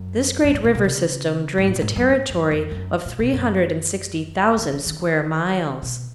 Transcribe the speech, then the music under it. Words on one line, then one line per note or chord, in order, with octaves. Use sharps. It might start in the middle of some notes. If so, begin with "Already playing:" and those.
This great river system drains a territory of three hundred and sixty thousand square miles.
Already playing: F#2
F#2
G#2
A#2
B2
C#3
G#2
A#2
G#2
F#2
G#2
F#2
F2
F#2
A#2
B2
F#2
D#3
F3
D#3
D#3
B2